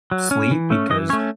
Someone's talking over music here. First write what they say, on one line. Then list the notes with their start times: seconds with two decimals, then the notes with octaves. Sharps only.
sleep, because
0.11 F#3
0.31 C#4
0.51 E3
0.70 A3 C#4
0.90 E3 D#5
1.10 C#4 C#5
1.13 A3